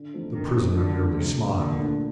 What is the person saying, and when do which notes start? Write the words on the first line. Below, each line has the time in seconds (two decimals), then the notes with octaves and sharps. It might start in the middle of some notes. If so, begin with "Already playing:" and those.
The prisoner merely smiled.
Already playing: D3
0.14 F3 A3 C4 D#4
0.34 D3 D#3
0.55 F3 A3 C4 D#4
0.76 F2 D3
0.96 D3 A3
1.17 F2 C3
1.38 D3 A3
1.58 A#2 D3
1.80 A3 D4 A4